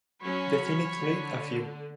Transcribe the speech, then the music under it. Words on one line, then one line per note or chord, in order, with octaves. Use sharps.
Definitely a few.
F#3 C#4 C#5 B5
D3